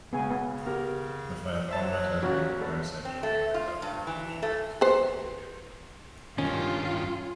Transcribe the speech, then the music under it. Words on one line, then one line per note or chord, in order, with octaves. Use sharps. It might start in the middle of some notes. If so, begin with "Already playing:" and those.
The file format has been reverse-engineered and documentation of it is freely available.
C#3 G#3 B3 G#5
B3
B3 G4 A#4
F#3 C5 E5 A5
A#2 C#3 F#4
A3 B3 D4
C4
A3
F4
G2
E3
A3
B4 C5
G2 D#3 C#4 F4